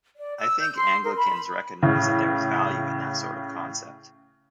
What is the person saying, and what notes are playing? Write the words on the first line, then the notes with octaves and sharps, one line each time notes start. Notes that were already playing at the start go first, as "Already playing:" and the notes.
I think Anglicans recognise that there is value in that sort of concept.
D5
E6
G6
C6
A#4
B5
A2 C#3